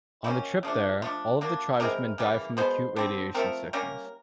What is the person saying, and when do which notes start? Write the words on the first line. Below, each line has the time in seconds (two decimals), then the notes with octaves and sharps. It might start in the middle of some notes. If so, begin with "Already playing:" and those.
On the trip there, all of the tribesmen die from acute radiation sickness.
0.24 D#3 F#3 A#3 C#4 E4
0.63 C#3 F3 A3 D4
1.02 F3 A3 D4 F4
1.41 D3 F#3 A#3 D4
1.80 C3 E3 G#3 C4 A#4
2.18 C#3 E3 G3 A#3
2.57 B2 G#3 B3 C5
2.96 D3 G3 C4
3.35 F3 A3 C4 A#4
3.73 G3 A#3 C#4 A#4